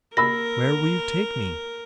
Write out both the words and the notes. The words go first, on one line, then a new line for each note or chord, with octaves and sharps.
"Where will you take me?"
A#3 A#4 B5 E6 A#6